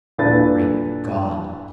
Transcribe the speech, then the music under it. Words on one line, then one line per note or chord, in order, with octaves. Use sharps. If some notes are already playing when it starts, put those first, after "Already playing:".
Great God!
A#2 D4 E4 A4 B4 A6